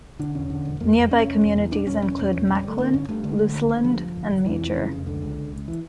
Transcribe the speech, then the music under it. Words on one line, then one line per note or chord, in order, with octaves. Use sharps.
Nearby communities include Macklin, Luseland and Major.
D3 D4
E1 C#4
D3
E1
F2 A#3
F2
F1 C#4
F1
E1
E2
E1 D4
E1 C#4
E1 C#4
E1
E1
E1
G3
G1 A3
D3 A#3
G2 C#4
G2 A3
D3 A3
D3
D2
D2
G2 F3
G1
G1
G1
F1 E3
F2
C#3
F1
C#2 D3
C#2
C#2
C#2
E3